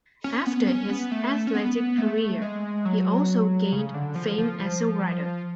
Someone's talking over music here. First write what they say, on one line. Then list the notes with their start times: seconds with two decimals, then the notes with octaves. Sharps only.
After his athletic career, he also gained fame as a writer.
0.24 C#4
0.46 B3
0.60 B3
0.67 C#4
0.90 B3
1.12 A3
1.47 C#4
1.55 B3
1.98 A3
2.42 G#3
2.85 F#3
3.72 C#3
3.94 D3
4.15 F3
4.38 F3
4.59 F3